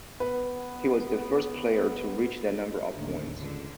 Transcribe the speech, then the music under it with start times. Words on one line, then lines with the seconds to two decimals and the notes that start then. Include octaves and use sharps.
He was the first player to reach that number of points.
0.20 B3 B4
2.95 A1 D#2 D3
3.39 C#2 D3